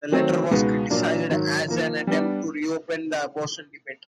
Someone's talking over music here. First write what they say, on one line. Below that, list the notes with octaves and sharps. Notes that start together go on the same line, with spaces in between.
The letter was criticized as an attempt to reopen the abortion debate.
D#3 F#3 A3 C4
C#2 B2 G#3 B3 D#4
A#2 F#3 A#3 D4 F4
G#2 D#3 F#3
F3 A#3 D#4
G3 B3 D4